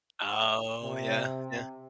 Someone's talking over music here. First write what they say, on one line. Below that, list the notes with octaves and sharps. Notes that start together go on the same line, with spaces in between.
Oh, yeah. Yeah.
C3